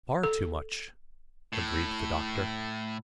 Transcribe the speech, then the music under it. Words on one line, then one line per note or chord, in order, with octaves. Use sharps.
"Far too much," agreed the doctor.
A4
A2